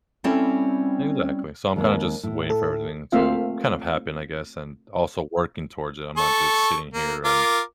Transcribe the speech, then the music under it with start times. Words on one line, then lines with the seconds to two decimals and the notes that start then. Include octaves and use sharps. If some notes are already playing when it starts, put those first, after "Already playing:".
Exactly. So I'm kinda just waiting for everything to kind of happen, I guess, and also working towards it. I'm not just sitting here and
0.24 G3 C4 C#4 E4 A4 C5
1.76 D#2 G#3 C4
2.23 A2
2.50 A4
3.12 A3 A#3 C4 F4 E5 F5
6.18 A4 C#6
6.94 A#3
7.25 F4 A#4 D6